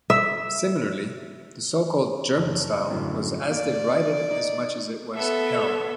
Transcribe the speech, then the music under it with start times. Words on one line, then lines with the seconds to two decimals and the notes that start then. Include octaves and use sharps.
Similarly, the so-called German style was as derided as much as it was heralded.
0.10 E5
2.38 F#1
2.90 F#2 A2 D3
3.50 A#3 D5
4.31 D#4
5.15 B3 A4 E5